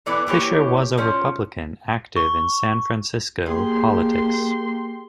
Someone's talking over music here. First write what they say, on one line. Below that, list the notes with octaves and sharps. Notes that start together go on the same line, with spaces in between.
Fisher was a Republican, active in San Francisco politics.
D3 E3 B3 D4
E3 A#3 G4 C#5
F3 C#4
C#6
A#3 G4 G#4 C6